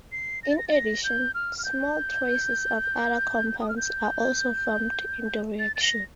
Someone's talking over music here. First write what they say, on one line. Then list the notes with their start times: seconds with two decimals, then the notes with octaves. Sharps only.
In addition, small traces of other compounds are also formed in the reaction.
0.12 C7
0.43 A#6
0.50 A6
0.58 A#6
0.68 A6
0.73 A#6
1.04 G6
1.35 F6
1.58 F6
1.64 G6
3.61 D#6
3.69 F6
3.77 G6
5.59 A6
5.76 A6
5.82 A#6